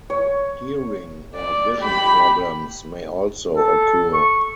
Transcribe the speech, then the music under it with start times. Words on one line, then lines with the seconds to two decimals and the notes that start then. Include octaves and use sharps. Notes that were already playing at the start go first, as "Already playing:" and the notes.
Hearing or vision problems may also occur.
0.10 C#5
1.35 D5
1.81 G4 B5
3.56 A4
4.13 C#6